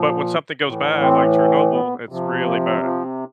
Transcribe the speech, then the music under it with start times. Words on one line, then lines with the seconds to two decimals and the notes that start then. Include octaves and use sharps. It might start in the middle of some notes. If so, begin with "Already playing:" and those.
But when something goes bad, like Chernobyl, it's really bad.
Already playing: A#2 F3
0.64 A2 E3
1.01 C4
1.72 B3
2.09 C3 F3
2.45 A#3
2.81 F3